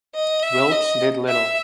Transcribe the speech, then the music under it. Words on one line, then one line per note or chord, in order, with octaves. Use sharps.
Wilkes did little.
D#5
E5
D#5
E5